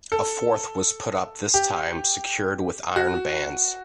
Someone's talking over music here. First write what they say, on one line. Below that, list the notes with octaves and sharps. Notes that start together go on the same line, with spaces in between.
A fourth was put up this time secured with iron bands.
A4
G4
F#4